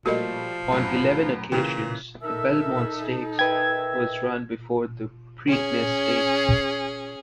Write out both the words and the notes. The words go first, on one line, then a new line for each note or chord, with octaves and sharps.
On eleven occasions the Belmont Stakes was run before the Preakness Stakes.
A#2 F3 G3 A3 F#4 A#4 D#5
F#2 A2
A#2 C#3 E3 G5
D#4 A4 A#4 E5
A#4 B4 D#5 E5 G5 G#6
C#4 G#4